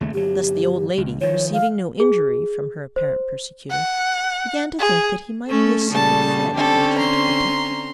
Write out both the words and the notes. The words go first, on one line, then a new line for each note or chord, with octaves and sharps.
Thus the old lady, receiving no injury from her apparent persecutor, began to think that he might be a secret friend watching to protect her.
D#2 C#3 A3
G1 F#3 G4
C#2
D#3 F3 C#5
F5
G#4
C5
F#5
G#4
A3 C#4 A4
A#2 C#3 G3 A4 A5
D3 C4 C#4 G4 A4
A#5 C6